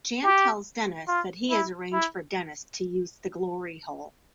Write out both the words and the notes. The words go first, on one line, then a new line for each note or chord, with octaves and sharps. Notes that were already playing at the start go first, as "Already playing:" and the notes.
Jan tells Dennis that he has arranged for Dennis to use the glory hole.
G4
F4
E4
E4